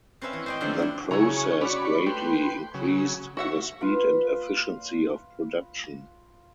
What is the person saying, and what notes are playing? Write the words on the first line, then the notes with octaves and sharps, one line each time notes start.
The process greatly increased the speed and efficiency of production.
C4 C#4 B4 E5 F5
E3
C5 D#5 G5
D3 F3 F#3 C4
D3 E4
C#3 F#3 E4 G#4 A#5 C#6
C#4 F#4 D5 B5 C#6
A3 B4 G5 C6
C#3 F#3
F#4 E5 F#5 C#6
F4 B4 F5